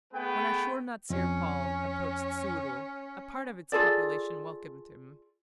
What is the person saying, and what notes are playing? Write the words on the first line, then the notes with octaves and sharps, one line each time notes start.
When Ashur-natsir-pal approached Suru, a part of its population welcomed him.
A3 B3 G#4 B4 G5
F2 C#4
F4 G#4 A4 D5